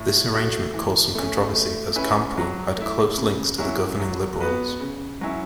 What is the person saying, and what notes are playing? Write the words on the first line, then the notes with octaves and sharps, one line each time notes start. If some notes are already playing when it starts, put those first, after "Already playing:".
This arrangement caused some controversy as Campeau had close links to the governing Liberals.
Already playing: A2
A3 F#4
E3
A3 C#4
A3
C#4 E4 B4
F#3
A3 E4
C#3
F#3 C#4 E4
F#3
B3 F#4 B4
C#3
F#3 C#4 E4